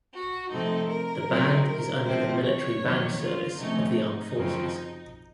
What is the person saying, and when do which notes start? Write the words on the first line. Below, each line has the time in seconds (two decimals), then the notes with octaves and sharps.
The band is under the Military Band Service of the Armed Forces.
0.13 F#4
0.51 C3 F3 A3 C4 D#4 A4
0.90 A#4
1.28 C3 F#3 C4 D#4
1.67 A#4
2.04 C3 F3 C4 C5
2.43 C#5
2.82 F2 D#3 F#3 A#3 D#4
3.19 F4
3.57 C3 F3 A3 C#4 D#4
3.97 D#4
4.35 F#2 C#3 F3 C4